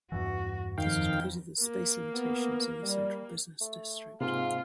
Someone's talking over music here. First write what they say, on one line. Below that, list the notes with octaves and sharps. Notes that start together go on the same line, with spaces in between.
This is because of the space limitations in the Central Business District.
E2 G2 E3 F#4
F2 D#3 F5 G5
A#3
B3
G3
A3
G#2 C3 A#3 C4 F4 F5